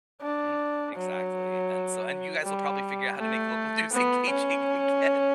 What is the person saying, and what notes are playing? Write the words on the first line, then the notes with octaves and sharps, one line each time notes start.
Mhm, exactly, and so and you guys will probably figure out how to make local news engaging again.
D4
F#3
G3
A3
B3
C#4